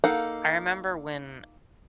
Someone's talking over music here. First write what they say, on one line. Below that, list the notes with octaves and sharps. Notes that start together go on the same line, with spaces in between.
I remember when
A#3 D#4 A4 F5 F#5